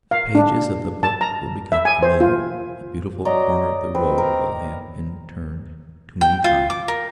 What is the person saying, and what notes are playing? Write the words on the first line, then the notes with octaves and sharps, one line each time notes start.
The pages of the book will become familiar; the beautiful corner of the road will have been turned too many times.
F5
D4
A5
A#5
E5
G#5
C5
F4
F#3 D5 D#5 A#5
C4 B4
A#4
G5
F4
D6
A#4